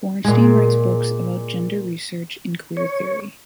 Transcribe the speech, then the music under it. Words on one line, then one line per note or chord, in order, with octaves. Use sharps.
Bornstein writes books about gender research and queer theory.
A#2 G#3
C#5